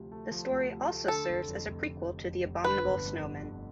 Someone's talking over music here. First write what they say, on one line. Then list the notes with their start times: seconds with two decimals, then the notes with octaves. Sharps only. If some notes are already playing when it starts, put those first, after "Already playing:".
The story also serves as a prequel to "The Abominable Snowmen".
Already playing: D2 C3 F3
0.12 A3
0.32 F3
0.51 D2
0.70 C3
0.90 A3
1.08 D3 A4
1.29 F1
1.48 F2
1.67 F1
1.86 D3
2.06 F1
2.26 F2
2.45 F1
2.64 D3 B4
2.84 G1
3.03 F2
3.23 G1
3.43 D3